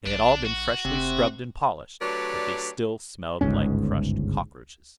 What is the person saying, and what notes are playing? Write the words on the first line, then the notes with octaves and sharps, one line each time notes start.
They had all been freshly scrubbed and polished, but they still smelled like crushed cockroaches.
A#1 D4
F#4
F1 C3
F#3 A3 D4 G4 B4 D5
G1 C#2 G#2 C#4